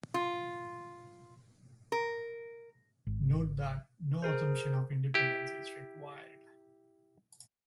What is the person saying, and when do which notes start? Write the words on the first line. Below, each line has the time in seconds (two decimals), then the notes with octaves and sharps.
Note that no assumption of independence is required.
0.14 F4
1.92 A#4
3.07 G#1
4.22 G#4 A#4 C5
5.14 E4 G4